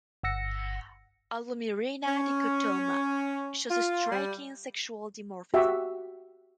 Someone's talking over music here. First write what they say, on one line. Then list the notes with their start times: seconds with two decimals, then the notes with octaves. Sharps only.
"Allomyrina dichotoma" shows a striking sexual dimorphism.
0.23 G1 F#5 E6 A#6 C#7
2.08 C#4
3.71 F4
4.12 G3
5.54 F#4 G4 E5